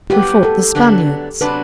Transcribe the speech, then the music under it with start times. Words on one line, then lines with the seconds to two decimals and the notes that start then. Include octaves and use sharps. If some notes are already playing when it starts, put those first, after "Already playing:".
We fought the Spaniards.
0.10 A2 F#3 B3 G4
0.43 A4
0.75 D3 F#3 B3 D4
1.41 C3 F#3 B3 D4 B4